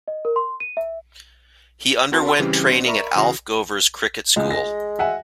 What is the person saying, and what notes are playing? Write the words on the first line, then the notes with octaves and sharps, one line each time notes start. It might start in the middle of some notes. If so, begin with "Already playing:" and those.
He underwent training at Alf Gover's cricket school.
D#5
A#4
C6
D#7
E5
C4 F#4 A#4 A5 C6
A5 B5 C6 E6
C#3 E3 G3 C4 C#4 G4
C4 D4 F#4 C5
A#4 D5 E5 A#5 B5 C#6
C#3 E3 F#4 D#6 A#6
C#2 G#3
A#6
E5 F#5 G#5